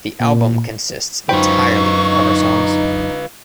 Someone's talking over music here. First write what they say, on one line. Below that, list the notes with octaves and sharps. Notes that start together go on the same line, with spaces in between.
The album consists entirely of cover songs.
A#2
F#2 D#4 F4 B4 C5 G5 C#6